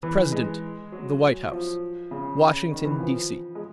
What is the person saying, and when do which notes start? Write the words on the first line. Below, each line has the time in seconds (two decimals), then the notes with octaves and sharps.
The President, The White House, Washington, D. C.
0.03 E3
0.32 G#3
0.92 F#3
1.52 F3
2.11 C#3
2.71 D#3
2.85 E3
3.00 F3
3.55 G#3